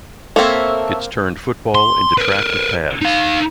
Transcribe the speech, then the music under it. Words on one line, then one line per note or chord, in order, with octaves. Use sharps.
It's turned football into track with pads.
A#3 C4 A4 C#5 E5
C6
A#4 B4
D#4 F5